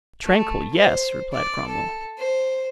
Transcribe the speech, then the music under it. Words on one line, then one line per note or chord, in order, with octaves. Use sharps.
"Tranquil, yes," replied Cromwell.
A3
C5
D5
A4
C5